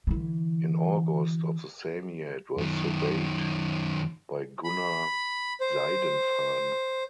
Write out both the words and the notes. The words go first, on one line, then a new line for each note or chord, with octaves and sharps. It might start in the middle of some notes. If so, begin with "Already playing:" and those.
In August of the same year it was surveyed by Gunnar Seidenfaden.
D3 E3
F#2 D#3
B5
C5